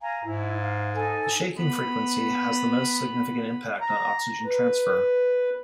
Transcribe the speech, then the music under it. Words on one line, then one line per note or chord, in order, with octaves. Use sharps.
The shaking frequency has the most significant impact on oxygen transfer.
F5 G#5 A#5
G#2 E4
F5
D#4 A4 G#5
B3 B5
A#5
B4